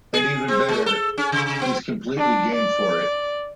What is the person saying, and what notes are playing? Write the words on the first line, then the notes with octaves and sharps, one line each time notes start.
And even better, he's completely game for it.
G#4
C4
G#3
A4
C#4
C3
B3
D4
D5